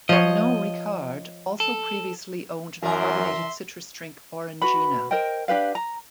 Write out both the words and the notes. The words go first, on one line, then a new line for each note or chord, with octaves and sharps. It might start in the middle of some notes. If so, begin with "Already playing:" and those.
Pernod Ricard also previously owned the carbonated citrus drink Orangina.
F3 C#5 D#5
A4
F#2 E3 A#4 D5 E5 C6
F#4 B4 B5
A#4 C5 D#5 G5
D4 G4 B4 F5
A#5